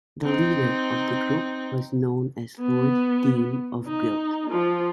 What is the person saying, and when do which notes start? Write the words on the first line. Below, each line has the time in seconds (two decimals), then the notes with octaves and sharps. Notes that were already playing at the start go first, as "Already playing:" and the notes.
The leader of the group was known as Lord Dean of Guild.
0.23 C4 D#4
2.60 B3
3.86 D#4
4.50 F3